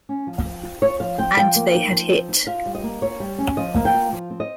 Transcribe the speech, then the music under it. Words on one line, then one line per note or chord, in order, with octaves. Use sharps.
And they had hit.
C#4
F3
C4
F4
F4 C#5
F3 F5
C4 G5
F3 G5
A#3
D#4
F3
C4
D#4
F4 F5
G3
D#5
A#3
F4 C#5
G3
C#4
F3 D#5
A#3
G5
F4
F3
C4
D#5